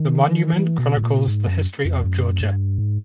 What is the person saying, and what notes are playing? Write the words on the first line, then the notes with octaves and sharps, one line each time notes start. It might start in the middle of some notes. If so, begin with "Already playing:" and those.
The monument chronicles the history of Georgia.
Already playing: D#3
E3
B2
A2
A#2
G#2
F#2
F2
F#2
G2
G#2